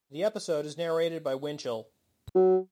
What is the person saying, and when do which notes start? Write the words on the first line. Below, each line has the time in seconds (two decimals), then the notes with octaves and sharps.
The episode is narrated by Winchell.
2.35 F#3